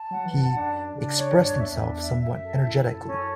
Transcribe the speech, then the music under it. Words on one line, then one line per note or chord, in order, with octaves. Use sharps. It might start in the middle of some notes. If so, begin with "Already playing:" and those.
He "expressed himself somewhat energetically".
Already playing: A5
F#3 F#5
E3
A5
F#2
F#2 D4
D4
C#3 D4
C#5
G2 D4
E2
E5
E2
D4
E5
F#2 E5
A4
F#2 E4
A4
C#4